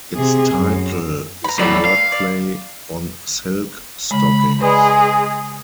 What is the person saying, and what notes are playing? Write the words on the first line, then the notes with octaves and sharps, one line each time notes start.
Its title is a wordplay on silk stockings.
C3 G#4
F#2
A#5 B5
A2 F#3 D5 B5
F5
D5
C#3 G#3 B5
G#3 G#4 B4 D5 B5